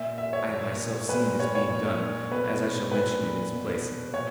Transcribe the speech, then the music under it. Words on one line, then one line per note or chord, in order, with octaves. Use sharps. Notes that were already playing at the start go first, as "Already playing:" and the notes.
I have myself seen this being done, as I shall mention in its place.
Already playing: A#2 E5
E5
C#5
A#2
A#2 B4
C#5
C#5
A#2
B2 B4
A#2 B4
B2
A#2 C#5